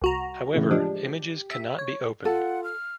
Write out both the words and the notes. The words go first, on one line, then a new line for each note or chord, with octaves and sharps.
However, images cannot be opened.
C2 F#4 A#5
A2 C#3 E3
F3 G#3 D4 G4
E5
C#5
F4 A4 F#5
F6